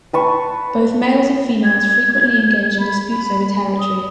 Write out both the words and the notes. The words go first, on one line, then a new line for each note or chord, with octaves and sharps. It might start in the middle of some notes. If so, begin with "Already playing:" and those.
Both males and females frequently engage in disputes over territory.
B4 A5 C#6
G#6
B5
B5
D#6